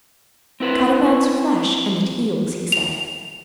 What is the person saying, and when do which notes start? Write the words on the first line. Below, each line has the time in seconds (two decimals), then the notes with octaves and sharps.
"Cut a man's flesh and it heals," he said.
0.60 C4 E4 B4 C5
2.72 F7